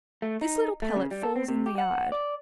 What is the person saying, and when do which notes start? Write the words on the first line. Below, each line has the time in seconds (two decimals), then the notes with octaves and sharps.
This little pellet falls in the yard.
0.22 A3
0.41 D#4
0.82 A3
0.96 C#3
1.11 G3
1.23 A4
1.36 C4
1.48 C3
1.66 G4
1.78 F#5
2.12 D5